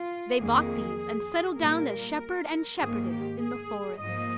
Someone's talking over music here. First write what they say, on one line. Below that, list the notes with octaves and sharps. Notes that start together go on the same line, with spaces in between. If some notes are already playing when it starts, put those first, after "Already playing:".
They bought these and settled down as shepherd and shepherdess in the forest.
Already playing: F4
F2 D#3 A#3 G#4
A#2 G3 A#3 A#4
G#2 D#3 A#3 G#4
G4
G#4
G#2 F3 A#3 D#5